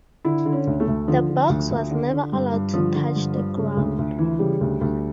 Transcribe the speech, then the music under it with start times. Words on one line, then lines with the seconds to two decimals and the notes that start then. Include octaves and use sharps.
The box was never allowed to touch the ground.
0.25 D3 E4
0.46 D3
0.52 C#4
0.67 D2
0.80 A3
0.88 D2
1.08 D3 F3
1.29 D3
1.49 D2
1.71 D2
1.91 D3
2.12 D3
2.32 G2
2.53 G2
2.74 D3 F3
2.95 D3
3.15 G2
3.36 G2
3.57 C#3
3.77 D2
3.98 D2
4.18 E3
4.39 C#3 G3
4.61 D2
4.81 D2